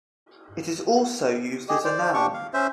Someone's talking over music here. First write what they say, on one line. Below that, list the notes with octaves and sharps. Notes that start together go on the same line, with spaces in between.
It is also used as a noun.
G4 G#4 D#5
C5 D5
D4 G4 C#6 D6
F5
C#4 C5 E5